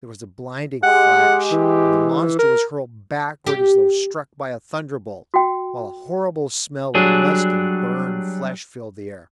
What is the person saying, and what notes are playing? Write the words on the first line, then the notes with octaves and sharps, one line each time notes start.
There was a blinding flash, and the monster was hurled backward as though struck by a thunderbolt, while a horrible smell of musk and burned flesh filled the air.
G#3 G4 F#5
E3
A#4
G4
F#4 G5
F#3 G3 D4 G#4